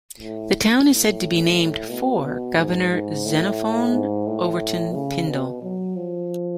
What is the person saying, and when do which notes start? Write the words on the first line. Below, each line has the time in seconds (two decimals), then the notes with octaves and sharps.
The town is said to be named for Governor Xenophon Overton Pindall.
0.20 A2
0.87 A2
1.89 B2
2.24 B2
2.58 G#2
2.91 G#2
3.26 A2
3.92 G#2
4.27 A2
4.94 C#3
5.28 B2
5.62 F#3
5.97 F3